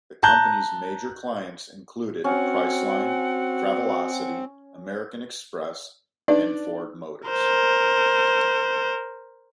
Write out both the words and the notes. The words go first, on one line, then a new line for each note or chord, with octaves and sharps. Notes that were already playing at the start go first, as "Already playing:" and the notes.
The company's major clients included Priceline, Travelocity, American Express, and Ford Motors.
A5 A#5 F#6 G6
C4 C#4 F#4 F#5
D4 D#4 B4 D5
A#4 C5